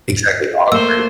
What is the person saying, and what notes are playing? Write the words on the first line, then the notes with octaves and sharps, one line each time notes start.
exactly, awkward.
A3 A#3 A4 C5 E6